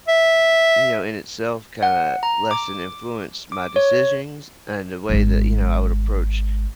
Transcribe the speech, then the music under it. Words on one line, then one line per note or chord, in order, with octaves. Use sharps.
you know, in itself kinda less than influenced my decisions, and the way that, you know, I would approach,
E5
F#5
A#5
D6
D6
C#5
G#1 G#3